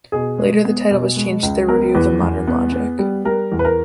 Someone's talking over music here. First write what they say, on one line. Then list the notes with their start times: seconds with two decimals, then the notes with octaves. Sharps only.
Later the title was changed to "The Review of Modern Logic".
0.12 B2 G#4
0.38 G#3
0.65 B3
0.91 B2
1.16 G#3
1.43 C#2
1.68 B3 A#4
1.95 E2 B4
2.21 E2
2.47 B3
2.72 B3
2.99 G3
3.25 G3 A#4
3.52 E2
3.59 B4
3.65 A#4